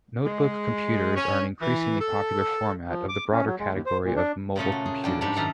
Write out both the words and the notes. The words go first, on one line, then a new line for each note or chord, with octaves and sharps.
Notebook computers are an increasingly popular format of the broader category of mobile computers.
G#3
C#4
E3
A4
F3
D6
C#4
F#3
G#3
D#2
C5
A#2
D4
A#2 C#3 A3 C#4
F#4
G#4
F2 D4 G5
G#2 G3 G#3 D4
F#2 D#3 E5 A5 A#5